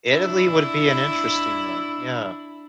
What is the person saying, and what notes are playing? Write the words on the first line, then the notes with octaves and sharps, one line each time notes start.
Italy would be an interesting one, yeah.
D4 E4